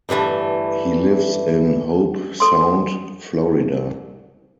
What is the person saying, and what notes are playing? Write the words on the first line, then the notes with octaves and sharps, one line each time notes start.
He lives in Hobe Sound, Florida.
G2 D3 E3 A3
A4 C6